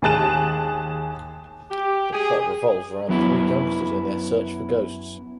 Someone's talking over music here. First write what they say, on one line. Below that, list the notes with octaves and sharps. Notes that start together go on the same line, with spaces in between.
The plot revolves around three youngsters and their search for ghosts.
D#2 G#4 A5 F#6 E7
G4
G#4
F#2 F#3 B3 C#4 E4